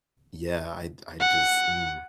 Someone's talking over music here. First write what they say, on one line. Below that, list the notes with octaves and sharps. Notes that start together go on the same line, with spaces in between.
yeah, I I just mm.
F#5